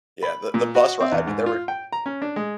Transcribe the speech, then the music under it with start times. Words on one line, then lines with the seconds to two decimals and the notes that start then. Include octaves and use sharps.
Yeah, the the bus ri I mean, there were
0.23 B5
0.54 A#2
0.75 F#4
1.00 C4
1.12 E2
1.27 G#2
1.46 F4
1.68 G5
1.93 A#5
2.06 C#4
2.22 D4
2.36 G#3